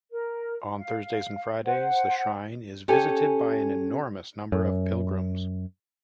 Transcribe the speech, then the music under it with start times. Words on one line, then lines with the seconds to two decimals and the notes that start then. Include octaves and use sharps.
On Thursdays and Fridays, the shrine is visited by an enormous number of pilgrims.
0.12 A#4
0.78 F5
1.65 C5 F#5
2.88 C#4 G4 A4 G#5
4.52 F#2